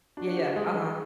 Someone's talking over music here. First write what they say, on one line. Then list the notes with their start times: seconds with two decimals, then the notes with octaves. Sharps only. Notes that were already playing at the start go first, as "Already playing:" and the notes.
Yeah, yeah. Uh-huh.
0.17 D4 F#4
0.28 F#4
0.36 G4
0.56 G#3 G#4
0.76 B4